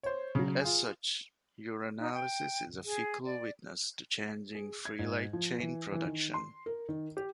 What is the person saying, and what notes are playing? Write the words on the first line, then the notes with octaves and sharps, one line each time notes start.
As such, urinalysis is a fickle witness to changing free light chain production.
C5 C#5
C#3 F#3
F4 G#4
D#4
G5
G#4
D5
G#4
G#6
G#2
F3
E3
E3
D#3
C6
A#4
D#3
G4